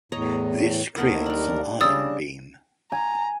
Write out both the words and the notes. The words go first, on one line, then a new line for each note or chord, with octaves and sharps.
This creates an ion beam.
E2 A2 C#5 D#5 A#5
D#2 A3 B3 E4 A#4
G3 D4
C#3 G3 D4 D#6 E6 A6
G#5 A#5